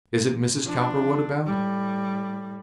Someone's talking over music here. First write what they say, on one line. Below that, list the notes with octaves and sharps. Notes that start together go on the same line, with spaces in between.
"Isn't Mrs. Cowperwood about?"
A#2
F3 D4
A2 G3